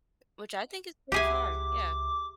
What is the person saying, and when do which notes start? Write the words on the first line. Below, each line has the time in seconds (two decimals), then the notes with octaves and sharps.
which I think is pretty far. Yeah.
1.12 C#2 E4 G4 G#4 F#5 G#5 D6